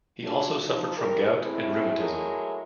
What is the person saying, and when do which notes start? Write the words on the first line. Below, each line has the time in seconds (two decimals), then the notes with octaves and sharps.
He also suffered from gout and rheumatism.
0.24 G#3 A3 C#4 D4 F4 F#4
0.63 F3 D#4
0.97 E2 G2 G4 A#4
1.41 G#3 A3 C4 E4
1.97 F#3 G#3 A3 E4 A#4 D#5